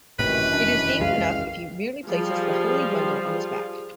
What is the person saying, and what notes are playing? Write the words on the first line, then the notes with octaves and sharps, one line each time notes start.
It is deemed enough if he merely places the holy bundle on his back.
G#1 F#2 A2 C3 D#3 E3 B4
F1 D4
C2 F2 G#3 F5
F3 G3 F4 G#4